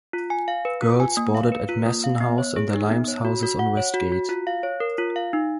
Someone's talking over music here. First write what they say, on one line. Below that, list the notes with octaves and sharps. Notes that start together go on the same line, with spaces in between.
Girls boarded at Masson House and The Limes houses on Westgate.
F4
G#5
F5
B4
F4
G#5
A#3
F5
B4
F4
A#3
F5
B3
C#5
G#4
D#4
B3
C#5
F#4
F#4
F#5
C#5
F#4
F#4
F4
F5
C#5
A#4
F4
F5
D#4